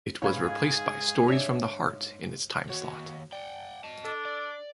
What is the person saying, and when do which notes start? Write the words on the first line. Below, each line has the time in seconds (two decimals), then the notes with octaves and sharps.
It was replaced by "Stories from the Heart" in its timeslot.
0.22 G#2 G#4 B4 C#5 F5 G#6
1.28 D4 C#5 E5
2.70 D#2 F#4 C#5
3.33 D5 F#5 G5
3.84 D#5 A5
4.05 D4 A4
4.25 D5